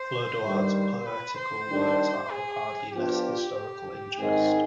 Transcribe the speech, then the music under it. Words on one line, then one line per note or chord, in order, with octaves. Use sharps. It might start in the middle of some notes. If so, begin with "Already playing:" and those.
Flodoard's poetical works are of hardly less historical interest.
Already playing: C5
G2 D#3 G3
B4
C5
D#3 G3 D4
G#4
F3 B3 D4 F4 G4
G#2 D#3 G#3 C4 D#4 G#4